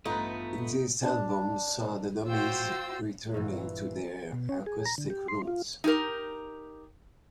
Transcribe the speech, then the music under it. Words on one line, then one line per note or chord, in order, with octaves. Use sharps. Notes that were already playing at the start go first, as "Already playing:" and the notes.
This album saw the Dummies returning to their acoustic roots.
A1 G2 A3 B3 D#4 F4 B4
D4 A5
F4 F#4 C5 G5 E6
G2 A#2 E3
B2
C#4
G#4
A#5
D3
G4
C6
F4
D#4 G4 A#4